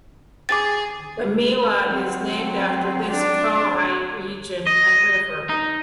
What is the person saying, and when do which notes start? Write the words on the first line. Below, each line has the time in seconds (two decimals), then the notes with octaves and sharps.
The Mela is named after this Khoai region and River.
0.49 G#4 D6 A6
1.87 F#3 C4
3.11 D4
4.67 D#5
5.49 D#4